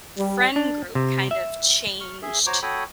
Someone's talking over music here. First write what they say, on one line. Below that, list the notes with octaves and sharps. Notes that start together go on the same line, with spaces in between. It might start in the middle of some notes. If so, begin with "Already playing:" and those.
friend group kind of changed
G3
D4
C3
E5
C#6 F6
G#4 E5
F#4 C5 C#5 A#5 D6
F#4 A4 C#5 G5 B5 D#6